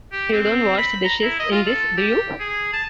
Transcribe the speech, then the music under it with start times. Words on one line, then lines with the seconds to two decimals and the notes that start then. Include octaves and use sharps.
You don't wash the dishes in this, do you?
0.13 G4
0.32 C4
0.78 B5
1.04 A#5
1.23 E4
1.39 D#5
1.52 F4
1.66 A4
1.97 G4
2.40 G#4
2.73 A5